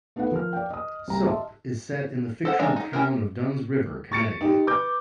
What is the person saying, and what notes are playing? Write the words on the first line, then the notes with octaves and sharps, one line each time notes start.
"Soap" is set in the fictional town of Dunn's River, Connecticut.
A3 B3 D#4 B4 F#5
F3 A#4 F6
D5 F5 G5
D#5 D#6
C2 A#5
D#5 E5 A5 C6
A4 C5 F#5
E3 G#3 D4 F5 A#5
D#4
C#4 E4 A#4
C#6 A6 C#7 D7
D#4 G4
B4 D6 G6